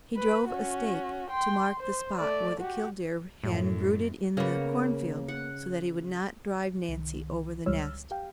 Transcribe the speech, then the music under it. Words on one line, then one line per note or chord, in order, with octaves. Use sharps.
He drove a stake to mark the spot where the killdeer hen brooded in the corn field, so that he would not drive Nancy over the nest.
B4
C#4 F#4
G5 C6
C5
A3 D5
F#4 G4
F#2 A2
C#3 A#3 B3 C#5
F#5
C2 D#3
C#2 G3 C#5 E6 F6
G4 F5 G5